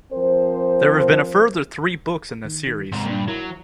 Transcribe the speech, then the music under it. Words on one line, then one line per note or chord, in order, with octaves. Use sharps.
There have been a further three books in this series.
F3 C4 A#4 C5
D#3
D#3
G#2 C3 C6
G2 A#2 D4
F#3 E4 A#4